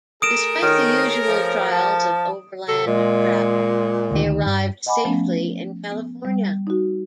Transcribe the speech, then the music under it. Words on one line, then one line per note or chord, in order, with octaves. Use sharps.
Despite the usual trials of overland travel, they arrived safely in California.
A3 G#4 A#4 D#6 D7 E7
D#3 C#5
F3
A5
C3 D#3 A4
A#2 G#3
D2 D#3
G2
D#5 F#5 G#5 B5 D6
F3 A3 B3 C#4
B3
G3
D#4 F#4